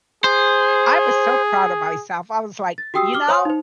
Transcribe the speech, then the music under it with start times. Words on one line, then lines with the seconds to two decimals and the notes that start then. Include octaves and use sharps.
I was so proud of myself. I was like, "You know,
0.24 G#4 C5
2.78 A6
2.94 F#4 G4 G5 D#6 E6 C7
3.14 D6 F6 G7
3.28 C5 C#5 F5 G#5 C6 D#6
3.45 D#4 C5